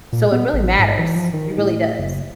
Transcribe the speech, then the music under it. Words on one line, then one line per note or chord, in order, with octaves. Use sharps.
So, it really matters. It really does.
A#2
B3
A1
G#2
E3
F3
D#3
A2
F#1